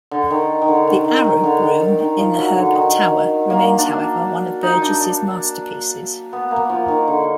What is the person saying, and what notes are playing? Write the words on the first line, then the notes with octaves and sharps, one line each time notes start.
The Arab Room in the Herbert Tower remains however one of Burges's masterpieces.
D3
D#3
D#3
D3
D#3
D#3
D#3
D3
D#3
D#3
D#3
F3
F#3
D3
D#3
A#3
D4
D#4
D4
D4
B3
A#3
F3
D#3
D3